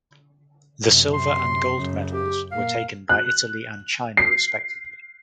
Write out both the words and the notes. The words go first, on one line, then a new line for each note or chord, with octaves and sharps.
The silver and gold medals were taken by Italy and China respectively.
F#2 C3
C6
F#2 C#3
G4
A#2 A#3 F5
F#6
C7